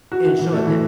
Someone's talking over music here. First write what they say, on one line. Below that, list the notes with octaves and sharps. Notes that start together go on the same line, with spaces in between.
And, so, at that
F#4
E3
E3
A3
E3